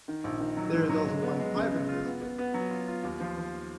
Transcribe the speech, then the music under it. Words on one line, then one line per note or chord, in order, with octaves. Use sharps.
There is also one private high school.
D#3
A#1
D#3
F#3
G#2
F#3
G#3
B3
G#3
C#3
C#3
F4
B3
B3
B3
F#3
F4
F4
D#2
F3
F3